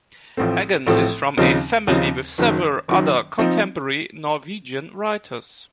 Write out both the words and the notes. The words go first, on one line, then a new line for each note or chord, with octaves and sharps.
Eggen is from a family with several other contemporary Norwegian writers.
A1 A2 F3 A3 C4
A1 A2 F3 A3 C4
D#2 C#3 F3 C4 D#4
D#2 C#3 F3 C4 D#4
F#1 F#2 D#3 F#3
F#1 F#2 D#3 F#3
F3 C4 D#4